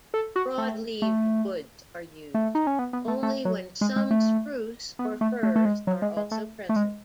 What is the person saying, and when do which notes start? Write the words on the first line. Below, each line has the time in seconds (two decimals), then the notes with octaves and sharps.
Broad-leaved woods are used, only when some spruce or firs are also present.
0.14 A4
0.36 F#4
0.58 A3
1.02 A3
2.34 A3
2.55 D#4
2.67 C#4
2.79 B3
2.93 B3
3.08 A3
3.23 A3
3.45 F#3
3.81 G#3
3.96 G#3
4.11 A3
4.99 B3
5.21 A3
5.43 A3
5.56 A3
5.65 G#3
5.87 F#3
6.02 G#3
6.17 G#3
6.31 A3
6.69 A3
6.76 G#3